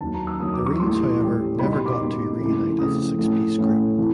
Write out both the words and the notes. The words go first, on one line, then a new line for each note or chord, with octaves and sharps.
The Reels however never got to reunite as a six-piece group.
D#2 D#3 F#3 A#3 A5
A#5
E6
D#2 D#3 F#3 A#3 D#6
D6
C#6
A2 E3 G3 C6
A2 E3 G3
B2 G3 A#3 D#4 B5
C6
D6
B2 G3 A#3 D#4
C#3 F3 A3 C4 E4
C#3 F3 A3 C4 E4 D#6
A2 E3 A3 C#4
A2 E3 A3 C#4
C3 E3